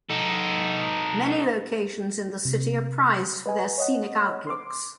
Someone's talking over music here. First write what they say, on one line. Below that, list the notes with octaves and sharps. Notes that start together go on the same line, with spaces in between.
Many locations in the city are prized for their scenic outlooks.
D#4 A4
C3
B4 D#5 G#5
C#5 D#5 F#5
C6 D6